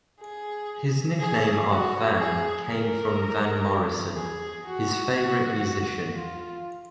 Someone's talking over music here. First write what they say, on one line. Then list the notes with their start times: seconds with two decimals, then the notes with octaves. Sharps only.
His nickname of "Van" came from Van Morrison, his favourite musician.
0.21 G#4
1.20 G#4
1.70 F#4
2.19 G#4
2.68 A#4
4.17 G#4
4.65 F#4
5.15 F#4
6.14 F4